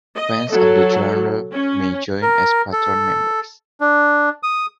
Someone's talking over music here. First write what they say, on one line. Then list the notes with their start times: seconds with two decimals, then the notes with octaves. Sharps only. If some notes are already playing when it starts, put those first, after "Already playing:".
Fans of the genre may join as patron members.
0.16 D#5
0.51 F#3 A4
1.53 C#4
2.22 A#4
2.72 A4
3.81 D4
4.43 D#6